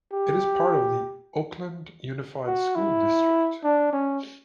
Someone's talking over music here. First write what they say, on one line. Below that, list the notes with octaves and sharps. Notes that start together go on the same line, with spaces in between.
It is part of the Oakland Unified School District.
G4
F#4
E4
D4
C#4